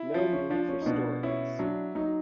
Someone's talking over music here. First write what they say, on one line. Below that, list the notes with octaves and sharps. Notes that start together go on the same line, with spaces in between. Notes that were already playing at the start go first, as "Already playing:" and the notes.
No need for stories.
Already playing: E4
F3 C#4
C#4
F3 D4
C#4
D#4
B2 D4
C#4 E4
F#3 D4
F#3 D#4